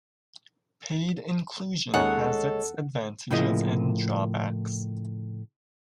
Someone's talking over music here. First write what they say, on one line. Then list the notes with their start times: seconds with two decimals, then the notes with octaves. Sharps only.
Paid inclusion has its advantages and drawbacks.
1.94 D#2 G#3 C#4 D#4 A4 C#5 F#5
3.30 A2 C#3 F3 A#3 E4 D#5